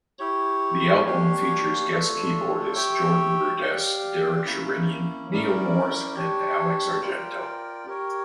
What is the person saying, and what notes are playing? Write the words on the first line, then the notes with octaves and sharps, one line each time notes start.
The album features guest keyboardists Jordan Rudess, Derek Sherinian, Neal Morse, and Alex Argento.
E4 G4 C#5
A#3 D4 G4 C#5 F5
A3 D4 F4 A4 C#5
G4 C#5 E5 G5
G4 D5 F5
A#3 C#4 E4
C#4 E4 A#4 D5
D4 G4 C#5
F4 A#4 D5 G5
G4 A#4 C#5